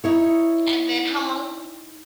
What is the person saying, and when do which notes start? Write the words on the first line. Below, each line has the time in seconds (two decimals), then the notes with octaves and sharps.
And then how long
0.04 D#4 E4 C#5